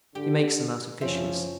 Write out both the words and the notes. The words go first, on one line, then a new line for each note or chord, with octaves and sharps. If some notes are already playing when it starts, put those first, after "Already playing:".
He makes them out of fishes.
D3 G4
F#1 F3 C4 C#4 E5